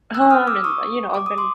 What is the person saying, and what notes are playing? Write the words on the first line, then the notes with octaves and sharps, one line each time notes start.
home and, you know, I've been
E6 F#6
D#6 F6
D6 E6
C#6 D#6
D6
D#6
C6 D6